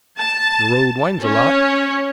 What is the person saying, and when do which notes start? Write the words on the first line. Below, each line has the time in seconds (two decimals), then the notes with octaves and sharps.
The road winds a lot.
0.18 A5
1.21 C#4 C#5